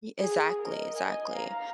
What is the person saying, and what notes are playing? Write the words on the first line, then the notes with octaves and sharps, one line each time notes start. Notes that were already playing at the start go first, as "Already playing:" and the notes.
Ye exactly, exactly,
G#4
A#4 D#5
D#5 G#5
F5 A#5